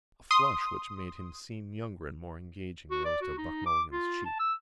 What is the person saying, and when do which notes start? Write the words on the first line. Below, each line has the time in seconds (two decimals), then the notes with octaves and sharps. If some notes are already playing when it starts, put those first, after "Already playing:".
A flush which made him seem younger and more engaging rose to Buck Mulligan's cheek.
0.31 C6 D#6
2.91 F#4
3.05 D5
3.21 F#4
3.38 D#4
3.66 D6
3.91 F4
4.25 A5
4.39 E6